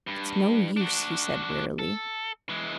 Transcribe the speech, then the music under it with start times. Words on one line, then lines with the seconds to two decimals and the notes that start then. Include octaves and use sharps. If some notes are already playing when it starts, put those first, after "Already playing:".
"It's no use," he said wearily.
0.07 G2
0.77 D4 F#4
1.79 A4
2.49 E3 G#3